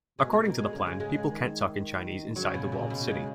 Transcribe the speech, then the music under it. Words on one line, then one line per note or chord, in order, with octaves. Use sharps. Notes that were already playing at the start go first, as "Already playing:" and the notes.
"According to the plan, people can't talk in Chinese inside the walled-city".
B2 G#3
A#3
A#3
G#3
C#3 A#3
G#3
G#3
G#3
D#3
C#3 F#3
B2
A#2
B2
G#3